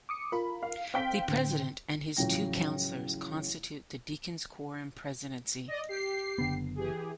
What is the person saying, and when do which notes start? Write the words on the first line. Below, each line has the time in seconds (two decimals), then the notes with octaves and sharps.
The president and his two counselors constitute the deacons quorum presidency.
0.09 D6 D#6 C#7
0.32 F4 A#4 B5
0.63 F5
0.94 C4 F5 G5 B6
1.28 A2 D3
2.17 A1 C#3 F3 F#3 G5 A#6
5.68 D5 D#5
5.89 G4 C7
6.38 F#1 D3 B3
6.76 E3 G4 G#4